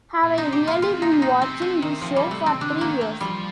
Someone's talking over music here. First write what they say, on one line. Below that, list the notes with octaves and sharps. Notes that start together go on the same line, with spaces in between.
Have I really been watching this show for three years?
A#2
D#4
C3
G4
A#2
F4
A#2 F4
C3
A#2 D#4
C3
A#2 D#4
C3 C4
A3
D#3
F3
G3
A3
C4
D#3 D4
D3
D#3
A#3
A3
F3 G3